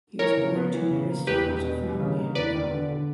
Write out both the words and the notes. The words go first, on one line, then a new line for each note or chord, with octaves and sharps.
He was born to an aristocratic family in Bergamo.
E3 A#4 C#5
C#3
B3
E3
C#3
A#3
E2 G4 B4
E1
B2
G3
C#3
A#3
E2 B4 D5
E1
D3
D3